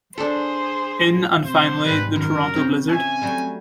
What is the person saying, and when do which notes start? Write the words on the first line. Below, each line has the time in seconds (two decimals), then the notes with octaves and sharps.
In and finally the Toronto Blizzard.
0.18 D4 G#4 A4 C5
1.45 C3 C5
1.84 G#2 G3 B4
2.16 F#2 D#3 A#4
2.55 C#3 C4 G4 C#5
2.89 C#5 E5 G#5
3.22 F#3 G3 A3